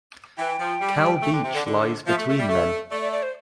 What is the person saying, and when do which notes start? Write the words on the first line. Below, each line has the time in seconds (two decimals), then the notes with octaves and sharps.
Cal beach lies between them.
0.38 E3 G5
0.59 F3
0.80 G3
1.22 A3
1.32 D3
1.43 C3
1.54 D3
1.65 D3
2.06 F3 E5
2.18 A3
2.28 A3
2.39 G3
2.49 A3
2.91 A3 D5
3.02 D5
3.12 D5
3.23 C5